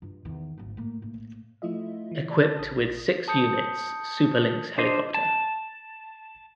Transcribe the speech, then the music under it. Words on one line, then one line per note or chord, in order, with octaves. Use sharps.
Equipped with six units Super Lynx helicopter.
G2 F4
E2 D#3
G#1 D2
A2 A#3
A2 A#3
F3 A3 E4 F4 D#5 E5
E3
D5 A5 A6
A1 D#6
A5 D#6 G6 C#7
D4 C5 D#5
A5